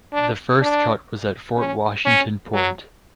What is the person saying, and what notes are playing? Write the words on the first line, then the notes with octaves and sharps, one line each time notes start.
The first cut was at Fort Washington Point.
D4
D4
C#4
C#4
F#3